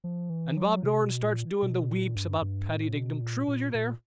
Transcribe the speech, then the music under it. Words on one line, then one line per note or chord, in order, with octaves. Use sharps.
And Bob Doran starts doing the weeps about Paddy Dignam, true as you're there.
F3
E3
F#3
C3
B2
A#2
B2
A#2
G2
G2
A2
B2
A#2
A#2
A#2